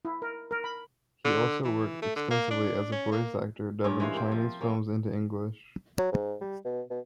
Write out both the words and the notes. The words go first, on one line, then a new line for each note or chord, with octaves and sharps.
He also worked extensively as a voice actor, dubbing Chinese films into English.
E4
A#4
A#4
B5
D3
E3
A3
D3
A#3
D4
C#4
A#3
G2 A#2 C#4 A#4
E3 G#3 F5
A#3 C4
F3
A#3 C#4
F#3
G#2
G3
B2
B2